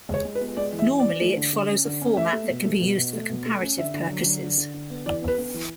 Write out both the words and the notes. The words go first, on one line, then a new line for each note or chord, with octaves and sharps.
Normally it follows a format that can be used for comparative purposes.
G#3 C#5
G#3
B4
B3
G#3 D5
E3
E5
E3
D5
E3
A3
D3
D3
C#4
D3
C#4
A3 E5
A3
B2
A3
B2
B2
A3
B2
A3
C#4
D3 E5
D3
F#3
D3
D3
D3
D3
B3
E3 D5
B3
B4
B3
E3